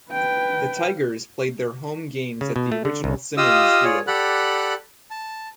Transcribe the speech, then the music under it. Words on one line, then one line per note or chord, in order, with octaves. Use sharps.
The Tigers played their home games at the original Simmons Field.
B4 G5
C#3
B2
A3
D3
C2
F4 G4 D#5 F5 D#6 E6
F4 G#4 C#5 D5
G4 A4 D5 F#5 B5 F#6
A5